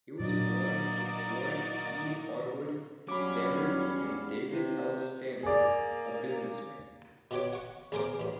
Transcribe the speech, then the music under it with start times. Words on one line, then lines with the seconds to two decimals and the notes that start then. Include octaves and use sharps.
He was born to Florence E. Harwood Stannard and David L. Stannard, a businessman.
0.20 A#2 F#3 A#3 D4 F#4 A#4 D5 D#5
3.08 E2 F#3 G3 C#4 F5 B5 D6
4.48 C3
5.43 A#3 G#4 D5
7.31 B2 F#4 G4 C#5 D6
7.53 F#5 C#6
7.92 A1 E2 G#4 A#4 C5 D6
8.20 A1 G2